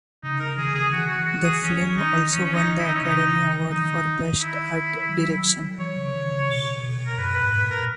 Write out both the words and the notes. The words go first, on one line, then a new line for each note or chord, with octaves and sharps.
The film also won the Academy Award for Best Art Direction.
C#3 D#4
A#4
D#3 G#4
C#3
D#3 G#4
E3 F#4
F#4
E3
F#4
E3 G#4
E3 C#4
D#3
D#4
D#3
E3 C#4
C#4
D#4
D#3
E3 E4
D#3 D#4
C#4
C#3 D#4
E3
E3
D#3 D#4
E4
F#3
F#3
E3 C#5
C#3
D#3
C#3
B2
B2
A#4
F#2 B4
B4
G#2
B4
A#2
A#4